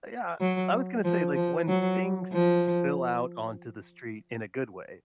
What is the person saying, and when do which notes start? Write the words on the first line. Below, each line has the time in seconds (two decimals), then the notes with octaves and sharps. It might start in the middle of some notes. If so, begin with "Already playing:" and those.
yeah, I was gonna say, like, when things s spill out onto the street in a good way,
0.40 F#3
1.04 F3
1.36 F3
1.68 F#3
2.33 F3